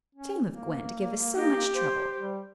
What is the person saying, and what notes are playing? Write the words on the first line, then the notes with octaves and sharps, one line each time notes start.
Shame of Gwen to give us so much trouble!
C#4
A#3
D#4 G4
C5
G3